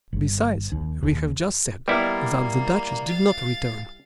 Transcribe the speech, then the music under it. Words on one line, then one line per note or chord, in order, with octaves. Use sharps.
Besides, we have just said that "the duchess" did not return.
G1
D#2
D#2
G3 A#3 B3 E4 D5 D6 F6
F5 A6